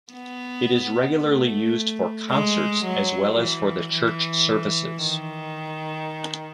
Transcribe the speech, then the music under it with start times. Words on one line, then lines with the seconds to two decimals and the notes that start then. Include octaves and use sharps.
It is regularly used for concerts, as well as for the church services.
0.13 B3
1.22 A3
2.30 G#3
2.84 F#3
3.39 E3
3.93 E3
5.02 D#3